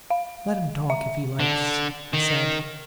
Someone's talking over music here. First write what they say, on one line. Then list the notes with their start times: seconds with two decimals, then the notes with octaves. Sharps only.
"Let him talk if he likes," he said.
0.10 F5
0.90 E5
1.40 D3
2.13 D#3